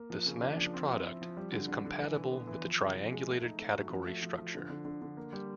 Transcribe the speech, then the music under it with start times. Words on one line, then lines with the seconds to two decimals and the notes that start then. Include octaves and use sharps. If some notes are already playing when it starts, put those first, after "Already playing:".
The smash product is compatible with the triangulated category structure.
Already playing: A#3
0.10 F3
0.26 C#3
0.41 D4
0.58 F3
0.74 C4
0.90 E4
1.05 C4
1.22 F3
1.37 G3
1.52 D3
1.68 D3
1.85 D3
2.00 E3
2.16 E3
2.31 B3
2.48 E3
2.64 F3
2.80 C#3
2.96 F3
3.12 G#3
3.27 A3
3.43 D#4
3.58 A3
3.74 F#4
3.90 F3
4.06 A3
4.23 F3
4.38 F3
4.54 D3
4.70 D3
4.85 D3
5.02 D3
5.17 A#3
5.33 G3